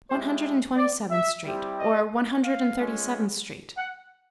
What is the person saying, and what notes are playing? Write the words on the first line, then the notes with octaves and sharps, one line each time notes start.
One Hundred and Twenty-seventh Street--or One Hundred and Thirty-seventh Street....
G#3 C#4 E4 G4 C5
D5
E5
G3 C4 E4 G4
D#5
F5
G#3 C#4 F4
F#5